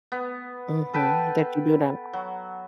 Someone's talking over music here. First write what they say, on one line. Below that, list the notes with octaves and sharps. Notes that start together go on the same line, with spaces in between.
Mhm, that you do not
B3
A4 B4 G5 A5
F#3